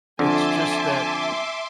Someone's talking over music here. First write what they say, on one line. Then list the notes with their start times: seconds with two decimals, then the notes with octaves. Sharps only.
It's just that
0.19 F2 D3 E5 G#5 A5 C6 D6